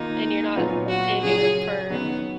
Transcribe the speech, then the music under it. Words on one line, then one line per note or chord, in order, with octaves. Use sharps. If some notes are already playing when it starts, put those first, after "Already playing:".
and you're not, like, saving 'em for
Already playing: D#3 A#3 D#4 F4
A#2 F#3 B3 F4
F#4
C#3 F#3 C#4 F4 G#4
D#3 F#3 B3 C#4 F#4